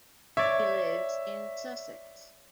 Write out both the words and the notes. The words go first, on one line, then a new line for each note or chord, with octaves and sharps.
He lives in Sussex.
C#5 D5 E5